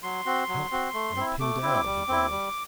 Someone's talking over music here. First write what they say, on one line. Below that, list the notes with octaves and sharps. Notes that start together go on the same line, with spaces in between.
"Help, I'm pinned down," he groaned.
F#3 C6
C4 F#4
F#3
C4 F#4
A3
C4 E4
A3 D6
C4 E4
G3
C4 E4
G3